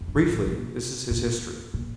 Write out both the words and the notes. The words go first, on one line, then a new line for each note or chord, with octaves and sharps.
Briefly, this is his history.
F2
G2
A2
A2
A#2
A#2
A#2